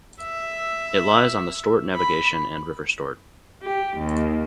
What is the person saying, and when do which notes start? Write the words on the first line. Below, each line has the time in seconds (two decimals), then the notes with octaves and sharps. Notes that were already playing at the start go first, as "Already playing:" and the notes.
It lies on the Stort Navigation and River Stort.
0.22 E5
1.95 B5
3.63 G4
3.98 D#2